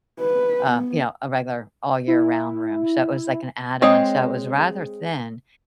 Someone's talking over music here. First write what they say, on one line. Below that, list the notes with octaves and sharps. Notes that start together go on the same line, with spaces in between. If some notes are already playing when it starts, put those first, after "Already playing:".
uh, you know, a regular all-year-round room, so it was, like, an add-on, so it was rather thin,
B4
B3
E4
G#3 C4 C#5 D#5 D#6